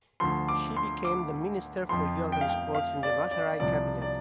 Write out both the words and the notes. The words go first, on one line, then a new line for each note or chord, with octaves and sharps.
She became the Minister for Youth and Sports in the Bhattarai cabinet.
D2 D3 F3 C6
D6
C6
D6
F2 F3 C6
G5
F5
G5
F5
D5
D5
C2 C3 F3 D5
D5